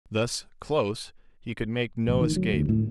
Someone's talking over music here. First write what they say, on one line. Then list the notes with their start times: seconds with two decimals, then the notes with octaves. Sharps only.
Thus close, he could make no escape.
2.08 A1
2.20 D#3
2.36 F#3
2.53 D2
2.69 A2